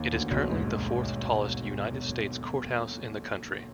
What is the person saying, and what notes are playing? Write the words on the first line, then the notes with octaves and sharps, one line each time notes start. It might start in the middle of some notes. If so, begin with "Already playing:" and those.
It is currently the fourth tallest United States courthouse in the country.
Already playing: D#2 D#3
D2 D3
B1 B2
G#2